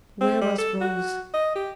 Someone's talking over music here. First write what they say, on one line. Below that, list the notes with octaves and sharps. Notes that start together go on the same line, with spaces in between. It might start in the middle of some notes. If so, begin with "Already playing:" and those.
Where was Rose?
C4
G3
A4
F#4
D#5
G4